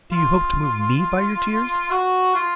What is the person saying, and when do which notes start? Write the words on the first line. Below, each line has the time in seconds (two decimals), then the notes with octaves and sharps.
Do you hope to move me by your tears?
0.12 F4
1.91 F#4
2.35 F4